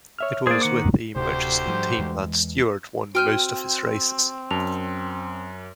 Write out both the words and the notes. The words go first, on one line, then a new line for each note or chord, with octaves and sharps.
It was with the Merchiston team that Stewart won most of his races.
C#5 E5 F6
A#3 G#4 C5 D5
D#3 F#5 D6
D1 D2 C3 G4 C5
G#2 F3 G3
E2 E3 G#3
C4 F#4 G5 F6 G6 D#7
F#2 A5 F7